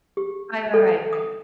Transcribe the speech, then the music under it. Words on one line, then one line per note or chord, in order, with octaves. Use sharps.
I know, right, right.
G4
A4
D#6